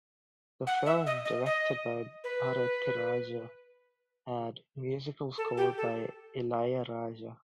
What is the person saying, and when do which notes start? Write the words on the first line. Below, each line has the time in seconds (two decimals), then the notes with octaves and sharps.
The film directed by Bharathiraja had musical score by Ilayaraja.
0.67 F#5
0.86 E5
1.06 D#5
1.25 D#5
1.46 D#5
2.24 B4
5.38 A4
5.57 G4
5.78 A4